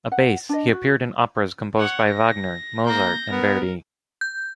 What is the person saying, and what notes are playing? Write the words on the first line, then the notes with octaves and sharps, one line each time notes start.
A bass, he appeared in operas composed by Wagner, Mozart and Verdi.
F#5
D4 D#5
F#4
C#5 F#5
A#6
A#3 G6 A#6
B3 A#4
G6